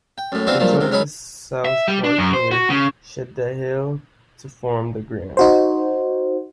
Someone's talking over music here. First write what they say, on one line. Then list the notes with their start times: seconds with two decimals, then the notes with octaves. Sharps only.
It joins the South Fork near Shadehill to form the Grand.
0.18 G5
0.32 F#2 A2
0.47 E3 F3 B3 C4 D4 F#4
0.60 G2 A#2 F3 F#3
0.76 C#2 C3
0.92 G#2 F#3 C#4 D#4 B5
1.65 E5
1.88 G3
2.04 D4
2.18 F#2
2.34 C5
2.51 F#4
2.70 C#3
5.37 D#4 F#4 C5